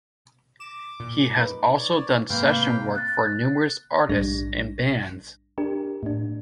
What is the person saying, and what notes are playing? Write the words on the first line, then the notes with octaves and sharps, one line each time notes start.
He has also done session work for numerous artists and bands.
D6 E7
A#2
D#4 B4
C#5 D5
G#2 C3 A#3 B4 F5 G5
F#6 A6
A#1 G#2 G3 D4 A#6
D4 G4 A#4
A2 D4